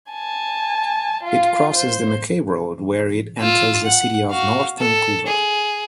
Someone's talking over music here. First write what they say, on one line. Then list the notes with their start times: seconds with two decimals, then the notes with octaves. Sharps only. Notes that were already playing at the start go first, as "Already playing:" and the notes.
It crosses Mackay Road where it enters the City of North Vancouver.
0.10 G#5 A5
1.24 F4 F5
1.76 C5
3.40 F4 E6
3.83 F#5
4.30 F#4 F5
4.79 A4
5.27 G#4